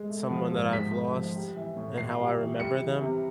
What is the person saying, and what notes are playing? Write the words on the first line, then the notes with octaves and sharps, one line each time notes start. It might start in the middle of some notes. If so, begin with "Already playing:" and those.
someone that I've lost and how I remember them,
Already playing: G#3
A3
F3
G#2
G#2 B6
A3
F3
G3
E3
A2
A2 C7
G3
E3
G3 C#7
E3
C3